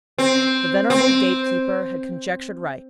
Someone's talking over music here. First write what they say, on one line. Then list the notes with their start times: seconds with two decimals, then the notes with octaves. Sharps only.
The venerable gate-keeper had conjectured right.
0.18 C4
0.90 C4